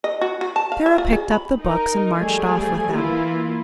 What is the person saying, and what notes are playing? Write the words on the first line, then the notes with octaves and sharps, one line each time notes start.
Sara picked up the books and marched off with them.
D#5
F#4
F#4
A5
F5
E5
F4
G#4
B5
D#4 A#4
F3 G3 A3 G#4
E3 A#3 E4 F4